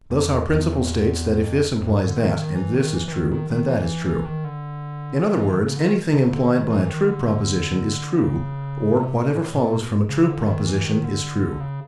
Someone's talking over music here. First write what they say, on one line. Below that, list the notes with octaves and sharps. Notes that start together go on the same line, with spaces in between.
Thus our principle states that if this implies that, and this is true, then that is true. In other words, 'anything implied by a true proposition is true', or 'whatever follows from a true proposition is true'.
F2
E2
E2
F2
F2
F#2
G#2
D3
D#3
D#3
E3
D#3
E3
E3
D#3
D#3
D#3
E3
E3
D#3
D3
E3
D#3
E3
D#3
C#3
D3
D#3
C#3
D3
D#3
E3
D#3
D3
C#3
C3
B2
A2
A#2
B2
C#3
D3
D#3
E3
D#3
D3
C#3